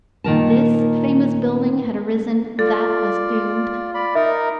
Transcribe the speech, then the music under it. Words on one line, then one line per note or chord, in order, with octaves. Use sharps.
This famous building had arisen, that was doomed.
A#2 D#3 A#4 A5
F4 A4 D5
D5 B5
D#4 A#4 E5